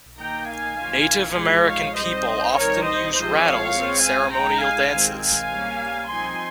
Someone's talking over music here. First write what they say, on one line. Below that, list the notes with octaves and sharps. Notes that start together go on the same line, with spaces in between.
Native American people often use rattles in ceremonial dances.
D#3 A#3 D#4 G5 A#5
F5 G#5
D#3 A#3 C#4 F4
F3 G#3 D#4
C#5 F5
G3 C4 D#4 C5 D#5
D#3 G3 C4 D#4 A#4 C#5
C5 D#5
F3 G#3 C4 F4 C5 D#5
C#5 F5
G#3 C4 F4
F5 G#5
G#3 D#4 G5 A#5
F5 G#5
D#3 G#3 C4
F5 G#5
G3 A#3 C#4
F3 C4 D#4 G#5 C6